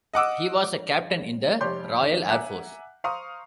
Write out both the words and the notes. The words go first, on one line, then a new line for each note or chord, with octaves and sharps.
He was a captain in the Royal Air Force.
D#5 F#5 D6 E6
F1 G4 C#5 D5 C6 G6
D#2
E5 F#5 G#5 A#5 D6 F#6
C5 F5 A#5 C6 C#6 D#6